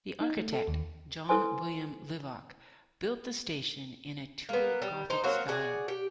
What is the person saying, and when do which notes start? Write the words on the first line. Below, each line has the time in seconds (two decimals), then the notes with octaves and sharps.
The architect, John William Livock, built the station in a Tudor Gothic style.
0.21 D#4
0.37 A3
0.53 A4
0.68 D#2
1.29 E4 A4 B4 C5 G#5 C6
4.49 A#3 B3
4.82 G3
5.10 D#4 C5
5.24 F#3 A#3 C4 F#4
5.48 F#4 G#4 D5
5.88 G4